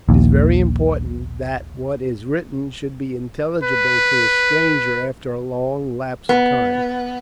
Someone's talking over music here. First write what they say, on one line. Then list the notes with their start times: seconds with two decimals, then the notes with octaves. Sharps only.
It is very important that what is written should be intelligible to a stranger after a long lapse of time.
0.09 A#1 D#2
3.63 B4
6.29 B3